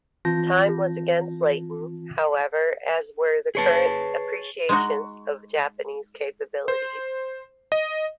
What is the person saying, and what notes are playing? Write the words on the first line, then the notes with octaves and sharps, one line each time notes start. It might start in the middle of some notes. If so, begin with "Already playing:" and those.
Time was against Layton, however, as were the current appreciations of Japanese capabilities.
E3 C4 F4 A5 G6 A#6
G#4 B4 C#5 A5
G#3 D#4 F#4
C5
D#5